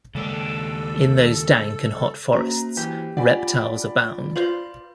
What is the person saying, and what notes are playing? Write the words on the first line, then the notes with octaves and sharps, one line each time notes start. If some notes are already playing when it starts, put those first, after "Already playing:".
In those dank and hot forests reptiles abound.
D#2 C#3 G#3 D4 A4
A#3 C#4 F#4 C5 A#5
E3 G4
D4 F4 D5 F#5 G#5 B5
F4 B4 C5 F5 F#7